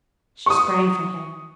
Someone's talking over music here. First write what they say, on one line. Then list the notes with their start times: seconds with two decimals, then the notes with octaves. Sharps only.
She sprang from him.
0.46 C#6 D#6